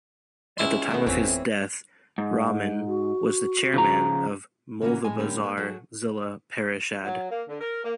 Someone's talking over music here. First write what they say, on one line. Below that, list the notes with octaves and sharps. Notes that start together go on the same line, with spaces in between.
At the time of his death Rahman was the Chairman of Moulvibazar Zila Parishad.
C#2 E4 C6
D#3 A3 B3
G#1 F2 E3 C4 C#4 B6
G#2
F#4
C#3 F3 A#5
C#3 E3 A#3 C4 C#4 F#4
A2 G#3 A3 G#5
A2 D3 G3 A#3 C#4
G#3 A#3
F#3 G#4 A4
F#3
A#3
D3
A#4
A#3